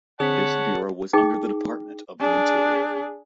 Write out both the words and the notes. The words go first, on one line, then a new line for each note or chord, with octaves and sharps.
This bureau was under the Department of the Interior.
D3 C4 G#4 C#5 F#5 A5 B6
D#4 G#4 G5 D6
D4 G#4